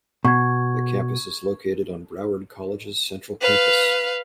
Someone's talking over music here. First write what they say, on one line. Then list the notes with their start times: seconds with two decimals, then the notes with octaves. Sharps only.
The campus is located on Broward College's Central Campus.
0.25 B2 C#6 G#6
3.41 B4 F5